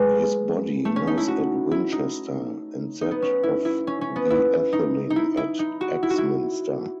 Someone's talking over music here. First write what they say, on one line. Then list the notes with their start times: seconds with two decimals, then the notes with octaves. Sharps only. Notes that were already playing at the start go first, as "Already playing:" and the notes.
His body lies at Winchester, and that of the etheling at Axminster.
Already playing: G#3 B3
0.85 A3
0.96 C#4
1.07 D#4
1.18 E4
1.28 F#4
1.71 E4
1.93 D#4
3.01 D#4
3.11 B3
3.22 C#4
3.43 E4
3.65 E4
3.87 C#4
4.01 C#4
4.16 B3
4.30 E4
4.73 D#4
5.10 D#4
5.16 E4
5.37 E4
5.59 D#4
5.81 F#4
6.03 E4
6.10 F#4
6.18 E4